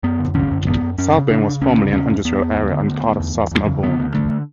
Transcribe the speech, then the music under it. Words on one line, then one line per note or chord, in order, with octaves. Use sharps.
Southbank was formerly an industrial area and part of South Melbourne.
F#2 B3
D3
D3 C#4
F#2
F#2 B3
F#2
F#2 C#4
C#3
C#3 D4
C#3
D2 C#4
C#3
E2 C#4
E2
E2 B3
E2
D2
D3
D2
D2
E2
E2
E2
C#3
D3 B3
D2
D3 A3
D3